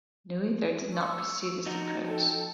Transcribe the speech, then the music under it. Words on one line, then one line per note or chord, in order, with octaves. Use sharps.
Noether did not pursue this approach.
C#6 E6
F3 D#4 F#4 A#5
A4 G5 A5